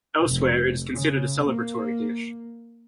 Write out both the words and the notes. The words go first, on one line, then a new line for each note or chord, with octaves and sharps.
Elsewhere, it is considered a celebratory dish.
F1
C#3
A#3